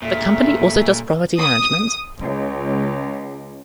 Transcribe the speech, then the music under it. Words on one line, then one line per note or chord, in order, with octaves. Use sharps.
The company also does property management.
E1 G2 A#2 C#3 A3 E5
D#6
C#2